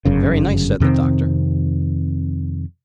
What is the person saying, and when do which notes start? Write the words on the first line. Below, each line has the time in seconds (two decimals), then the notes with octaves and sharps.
"Very nice," said the Doctor.
0.05 G1 F#2 C#3
0.80 F2 C3 D#3 C4